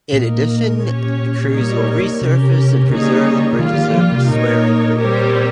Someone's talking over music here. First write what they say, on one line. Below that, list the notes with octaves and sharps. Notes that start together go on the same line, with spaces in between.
In addition, crews will resurface and preserve the bridges over Swearing Creek.
A#2 A#3 D#4 A#4
C#4 G4 C#5
G3 A#3 D#4 A#4 C#5
C3 C#4 G4 A#4
C#3 G3 A#3 D#4 G#4 C#5
D#3 G3 A#3 F4
D#3
F3
C3
A#2 A#3 D#4 A#4 C#5
G3 C4 G4 A#4 C#5